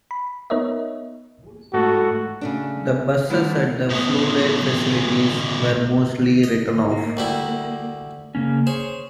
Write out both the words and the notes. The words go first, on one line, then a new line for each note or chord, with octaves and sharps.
The buses at the flooded facilities were mostly written off.
B5
B3 D#4 A#4 C#5 D#5 E5
G#2 A3 F#4 A4
C#3 A3 D4
D3 D#3 G3 A3 E4
A2 B3
D#5
A#3
D2 G3 E4
C#3 A#3 C#4
G#4 C5 C#5